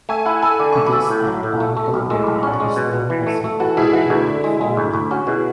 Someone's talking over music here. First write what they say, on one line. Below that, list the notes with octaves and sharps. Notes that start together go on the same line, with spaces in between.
This anatomical variant is known as an arcuate foramen.
A3 E5 G#5
E4 F#5 A5
A4 G#5 B5
D3 D6
A3 C#6
B5 D6
A4
A2
F#3
A2
A3
A3
B1
G#3 C#6 E6
B1 B5 D6
A5 C#6
C#4 D5 F#5
G#3
B2
B2
E3
A3
A3
E3 F#4 A4
G#2 E4 G#4
E3 F#4
D2 E4
D3
G#3
G#3
D2
D2
C#4 F#4
B2 E4 G#4